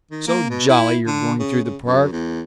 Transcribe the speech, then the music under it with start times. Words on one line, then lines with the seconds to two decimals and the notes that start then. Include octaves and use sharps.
"So jolly you're going through the Park."
0.11 D#3
0.27 A#3
0.50 B2
0.69 E4
1.07 D3
1.39 C#3
1.64 C#3
1.83 F#2
2.12 E2